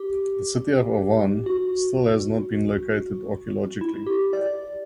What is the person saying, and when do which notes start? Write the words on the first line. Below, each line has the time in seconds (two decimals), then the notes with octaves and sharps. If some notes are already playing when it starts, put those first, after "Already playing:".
The city of Awan still has not been located archaeologically.
Already playing: G4
1.46 F#4
3.81 E4
4.07 G4
4.33 D5